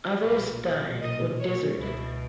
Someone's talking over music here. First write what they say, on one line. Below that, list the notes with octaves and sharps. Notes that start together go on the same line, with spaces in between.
Others died or deserted.
B1 A#2 B4
D#5
C#5
C#2 B2 E4